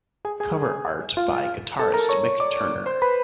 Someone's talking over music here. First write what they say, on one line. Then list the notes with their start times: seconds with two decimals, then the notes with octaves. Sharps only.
Cover art by guitarist Mick Turner.
0.25 G#4 G#5
0.40 G#4 G#5
1.17 F4 F5
1.79 A4 A5
1.94 A#4 A#5
2.09 C#5 C#6
2.40 D5 D6
2.86 C5 C6
3.02 B4 B5